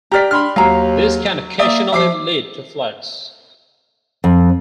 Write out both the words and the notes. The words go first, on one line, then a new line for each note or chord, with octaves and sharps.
This can occasionally lead to floods.
G4 D5 A#5 F6 B6
D4 B5 C6 F6
D#2 F#3 F5 A#5
A#3 D5 E5 D#6
F3 E5 D6 C7
F2